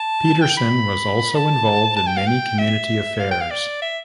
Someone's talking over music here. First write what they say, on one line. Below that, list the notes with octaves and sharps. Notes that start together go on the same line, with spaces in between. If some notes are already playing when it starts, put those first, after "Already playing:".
Petersen was also involved in many community affairs.
Already playing: A5
G5
B5
A5
A5
G5
F5
G5
E5
F5
G5
F5
D5
E5